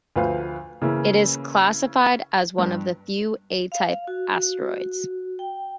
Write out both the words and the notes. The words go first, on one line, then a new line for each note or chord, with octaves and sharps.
It is classified as one of the few A-type asteroids.
D2 F3 B4 C5 F5
C#3 E3 A#3 C#4 E4
G2
F5
F#4
G5